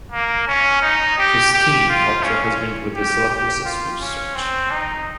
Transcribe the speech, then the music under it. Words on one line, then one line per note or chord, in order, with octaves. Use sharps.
Christine helps her husband with his silicosis research.
A#3
C#4
D#4
G4
G4
F4
C#4
G4
G4
F4
C#4
C4
D#4